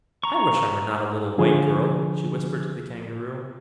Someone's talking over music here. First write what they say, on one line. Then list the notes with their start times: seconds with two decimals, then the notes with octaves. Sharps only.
"I wish I were not a little white girl," she whispered to the Kangaroo.
0.24 A#5 C#6
1.38 D3 F3 G#4